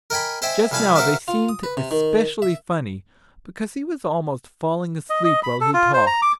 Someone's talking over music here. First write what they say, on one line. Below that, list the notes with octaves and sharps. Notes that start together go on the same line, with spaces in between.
Just now they seemed especially funny, because he was almost falling asleep while he talked.
A#4 D#5 G5 G#5 B5
C5 D#5 E5 G5 G#5
C2 E3 F4 G#5 A5 B5
F#4 A#4 C5 D5 E5 F5
F4
D#6
B4
C3
D#3
E5
D#5
D#5
B5
A4
F4
C5
A#5
D6